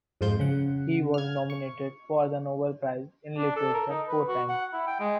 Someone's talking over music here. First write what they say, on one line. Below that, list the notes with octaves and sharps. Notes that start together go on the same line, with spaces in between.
He was nominated for the Nobel Prize in Literature four times.
F2 G#2 F3 F4 C5 G6
C#3 F#5
F6 G#6
C#6
D4
A4
A#4
D#4
B4
F#4
F#5
E4
G5
G#3